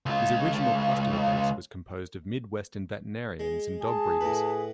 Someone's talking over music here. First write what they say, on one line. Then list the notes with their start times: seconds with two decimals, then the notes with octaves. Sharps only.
His original customer base was composed of Midwestern veterinarians and dog breeders.
0.06 C#2 F4
3.39 G#3
3.82 G#4 A5
4.21 A2 B4